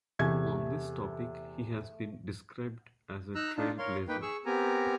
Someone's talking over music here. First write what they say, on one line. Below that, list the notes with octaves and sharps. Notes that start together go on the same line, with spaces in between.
On this topic he has been described as a trailblazer.
E2 C3 A3 G#6
D#4 A#5 E6 F#6
D4 D#4 F4
A#4 C#5 F5 C6
A#3 D#4 B4 G5
G#4 C#6 E6
B3 C4 G4 A#4 G#5 A#5